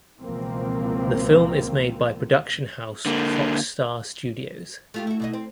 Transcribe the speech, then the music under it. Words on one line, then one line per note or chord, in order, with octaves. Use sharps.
The film is made by production house Fox Star Studios.
C#2 B2 E3 F3 A#3 C4
D3 A#3
A3 F4 G4
E4 F#4
B2 E4 D#5
C4